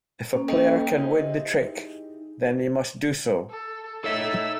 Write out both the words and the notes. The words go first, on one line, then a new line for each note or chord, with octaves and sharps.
If a player can win the trick then they must do so.
A#3 C#4
A4 D#5 G5
D#4 E4 G4 G#4 C5 D#5
A4
D#4 A4 C#5 E5 E6